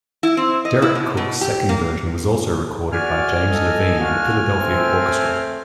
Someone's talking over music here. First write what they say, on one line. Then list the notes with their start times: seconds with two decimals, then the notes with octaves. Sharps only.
Deryck Cooke's second version was also recorded by James Levine and the Philadelphia Orchestra.
0.23 E4
0.37 C4
0.65 D#5
0.82 E4
0.95 B2
1.17 B2
1.41 G4
1.69 A#3
2.92 F#4 D5 G#5 F6
3.48 A4 D#5
3.98 D4 F4 F#4
4.55 A3 C4